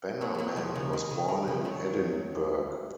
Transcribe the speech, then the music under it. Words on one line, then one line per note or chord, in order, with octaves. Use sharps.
Bannerman was born in Edinburgh.
F#3 A#3
G#3
F#3 A#3
F3 G#3
C#3 F3
D#3
C#3
D#3
C#3 F3
D#3 F#3